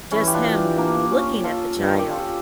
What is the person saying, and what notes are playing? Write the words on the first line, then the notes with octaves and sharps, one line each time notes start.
Just him looking at the child
E3 C#4 E4
G4
D4 F4
A#3 D4
C#4
F4 A4
G2
G4
F4 A4